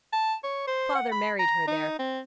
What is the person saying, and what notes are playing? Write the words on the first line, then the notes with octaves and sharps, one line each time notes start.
Father married her there.
A5
C#5
C5
F#5
B5
A#5
D#4
C4